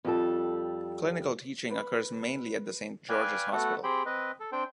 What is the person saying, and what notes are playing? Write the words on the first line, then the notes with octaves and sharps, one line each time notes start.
Clinical teaching occurs mainly at the Saint George's Hospital.
F2 G3 A4
B4
B4 D5 F5 G5 G#5
A3 B3 F#4 A4 F#5
C4 G4 G#4 C5 G5 B5
C4 B4 D#5
A4
C4 D4 C5 G5